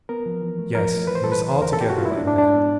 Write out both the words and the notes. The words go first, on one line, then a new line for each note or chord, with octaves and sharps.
Yes, he was altogether like that.
B3 A#4
F3
E3
A3
F3 A#4
A3
E3 B4
C5
G3 A4
B4
E3
C5
E2
A#4
B2 A4
G4
B2 F#4
F4
A3 E4
D4
G#2
D4
G#3 D4
B3